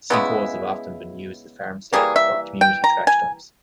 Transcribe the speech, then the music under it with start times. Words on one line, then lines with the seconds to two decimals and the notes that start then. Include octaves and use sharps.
Sinkholes have often been used as farmstead or community trash dumps.
0.10 C#3 G#3 B3 E4
1.93 E3 G3 A#3 G#4
2.16 E5
2.61 G5
2.84 A#5
3.07 G#5